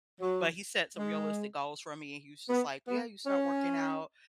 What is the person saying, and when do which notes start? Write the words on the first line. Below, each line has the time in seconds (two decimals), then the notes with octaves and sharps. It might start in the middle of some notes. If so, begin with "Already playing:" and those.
But he set some realistic goals for me and he was just like, "Yeah, you start working out.
0.20 F#3
0.97 G#3
2.50 B3
2.88 B3
3.26 C#4